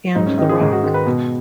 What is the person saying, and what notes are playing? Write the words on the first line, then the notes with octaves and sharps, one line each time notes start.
And the rock.
G#2 D#4
C#4
D#3 G#3 D#4
G#4
G#2 D#4
F#4
D#3 G#3 G#4
B4
B2